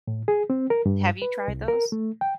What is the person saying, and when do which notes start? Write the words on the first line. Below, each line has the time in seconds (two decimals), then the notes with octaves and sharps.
Have you tried those?
0.08 A2
0.28 G#4
0.50 C4
0.70 A#4
0.86 G2
1.22 B4
1.48 C2
1.68 A#4
1.92 A3
2.21 G5